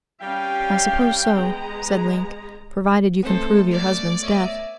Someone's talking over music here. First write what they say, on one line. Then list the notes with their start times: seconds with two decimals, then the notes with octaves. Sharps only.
"I suppose so," said Link, "provided you can prove your husband's death."
0.21 G3 C#4 F5 G5
1.35 G#3 B3 G#4 A#5
3.23 A3 B3 C4 A4 C5
3.71 C#3 D5
4.22 C#5 D#5 E5